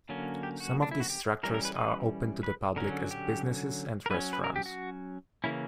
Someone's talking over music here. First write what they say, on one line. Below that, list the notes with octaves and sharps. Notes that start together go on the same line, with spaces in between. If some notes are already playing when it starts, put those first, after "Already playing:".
Some of these structures are open to the public as businesses and restaurants.
D3 F#3 A#3 C#4
G4
F#4
D4
E4
F#4
G4
E3 G3 C#4 A#4
A#4
B4
B4
B4
D3 F#3 C#4 A#4
G4
A#4
F#3 C#4 B4
B4
A#4
G4
F#4
C#3 E3 A#3 C#4 E4